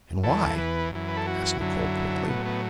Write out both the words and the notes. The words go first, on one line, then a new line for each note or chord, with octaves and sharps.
"And why?" asked Nicholl quickly.
E2 E3 A4
B4
F#2 E3
B4
A4
F#4
F#2 D3 F#3 E4
A3
A2 F#3 B3
B3